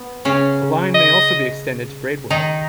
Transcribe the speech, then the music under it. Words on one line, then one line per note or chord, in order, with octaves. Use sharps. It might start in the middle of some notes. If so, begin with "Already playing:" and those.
The line may also be extended to Braidwood.
Already playing: B3
C#3 C#4
D#5
D#3 D#4